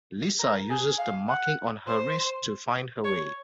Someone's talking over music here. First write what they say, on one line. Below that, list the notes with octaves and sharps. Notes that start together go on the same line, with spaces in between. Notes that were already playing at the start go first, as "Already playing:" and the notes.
Lisa uses the marking on her wrist to find her way.
A#4
G#4
F5
F#5
C5
C#5